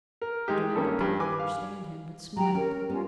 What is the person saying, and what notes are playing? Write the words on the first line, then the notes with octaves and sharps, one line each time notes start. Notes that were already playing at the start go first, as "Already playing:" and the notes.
She did not appear to understand him, but smiled.
A#4
G#3 D#4 G4
G2 A#3 C#4 A4
G2
B4 G#5 D6
F5
F#3 G4 G5 A#5
C#4 A#4
G3 B3 C#4 F4